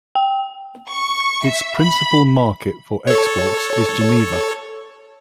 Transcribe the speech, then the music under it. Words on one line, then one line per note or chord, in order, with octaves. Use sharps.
Its principal market for exports is Geneva.
G5
C#6
E5
B5
A4 C#5